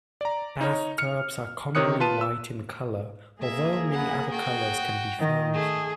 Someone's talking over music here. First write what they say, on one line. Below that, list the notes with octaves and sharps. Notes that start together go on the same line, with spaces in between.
Bathtubs are commonly white in colour although many other colours can be found.
D5 A#5
D#4 C#5
F6 C#7
C3 D#3 C#5 D#6 F#6 C#7
F4 B4 A5 D#7
E6
A#3 G#4 E5
F#5 B5
F#4 G5
D#3
A3 G#4